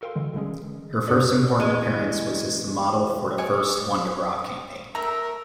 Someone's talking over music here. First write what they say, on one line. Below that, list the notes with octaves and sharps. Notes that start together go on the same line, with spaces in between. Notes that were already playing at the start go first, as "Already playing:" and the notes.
Her first important appearance was as the model for the first Wonderbra campaign.
F#4 A4 A#4 F5 G5 C6
D3 E3 G#3
D3 G3 G#3 C#4 G#4
E3
F#6
F#2 B3 D4 A4 C#5 D5
E2 G#3
G#3 C#5 D5 G#5
A3 A#4 E5 A#5